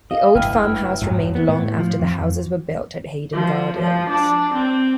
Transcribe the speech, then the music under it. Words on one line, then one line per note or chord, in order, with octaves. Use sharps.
The old farmhouse remained long after the houses were built at Haydon Gardens.
D#5 F5
F#1 G2 A3 E4 B4 E5 G5 F6
F2 G#2 B2 F3 F#3
B3
A2
F3
F2
F3
F3
D4
C4